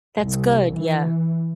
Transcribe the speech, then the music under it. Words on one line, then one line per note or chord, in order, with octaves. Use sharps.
That's good. Yeah.
C2
E3